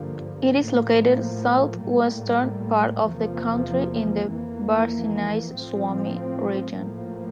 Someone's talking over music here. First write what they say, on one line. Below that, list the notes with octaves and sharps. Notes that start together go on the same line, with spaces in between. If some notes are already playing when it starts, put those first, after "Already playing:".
It is located in southwestern part of the country in the Varsinais-Suomi region.
Already playing: G2 D3 F3 A#3
A2 F3 A#3
A2 G3 A#3
E2 C3 F3 A#3
F2 E3 A#3
A2 F3 C4
A2 F3 A#3